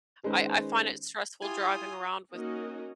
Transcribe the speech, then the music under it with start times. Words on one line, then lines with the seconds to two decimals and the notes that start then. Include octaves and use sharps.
I I find it stressful driving around with
0.23 D#3 G#3 C#4 B4 C5
1.42 E4 F4 G4 G#5 D#6
2.32 A#3 C#4 D#4 F#4 A#4 D#5